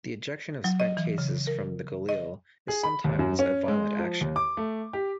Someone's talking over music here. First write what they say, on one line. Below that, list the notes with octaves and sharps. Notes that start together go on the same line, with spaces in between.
The ejection of spent cases from the Galil is sometimes a violent action.
F#3
D#5
E3
C#3
A#4
D#5
G#4
B5
D#2
F#2
C#4
G#3
F3
D#2
D6
A3
G4